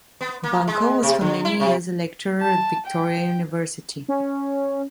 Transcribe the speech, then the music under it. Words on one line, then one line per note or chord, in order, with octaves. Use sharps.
Bunkle was for many years a lecturer at Victoria University.
B3
A#3
G#3
C3
D3
E4
C3
A5
G5
C#4